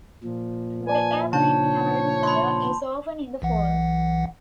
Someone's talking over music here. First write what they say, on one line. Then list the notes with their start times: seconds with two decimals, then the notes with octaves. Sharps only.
The Evelyn Cameron Gala is often in the fall.
0.24 A#2 F3
0.87 B4 D5 G#5 A5
1.33 C#3 D4 D#4 C#5 A5 G6
2.23 B5 C6
3.42 B1 E3 F#5